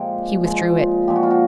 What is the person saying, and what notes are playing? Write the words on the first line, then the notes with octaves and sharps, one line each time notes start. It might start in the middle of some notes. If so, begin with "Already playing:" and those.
He withdrew it.
Already playing: A#2 F3 G#3 G4
A#2 F3 G#3
A#2 F3 G#3 G4
F#4
F4
F#4